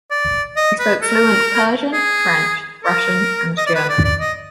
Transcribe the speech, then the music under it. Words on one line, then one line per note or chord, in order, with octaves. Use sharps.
He spoke fluent Persian, French, Russian, and German.
D5
D#5
B4
A#4
G#4
A#4
D#5
D5
B4
D5
D5
D#5